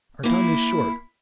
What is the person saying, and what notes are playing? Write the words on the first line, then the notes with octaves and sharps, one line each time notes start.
Our time is short.
A#3 E4